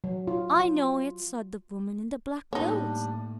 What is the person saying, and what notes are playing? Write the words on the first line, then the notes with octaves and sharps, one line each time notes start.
"I know it!" said the woman in the black clothes.
F#3
F4
F4
A2 G3 A#3 D4 D#4 C#5